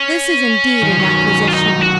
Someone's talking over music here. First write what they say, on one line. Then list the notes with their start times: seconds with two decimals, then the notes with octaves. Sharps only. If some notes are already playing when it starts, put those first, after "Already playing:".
This is indeed an acquisition.
Already playing: C#4
0.83 D#3
0.90 F3
0.99 D#3 F#3
1.48 F4
1.54 D#4
1.82 F#4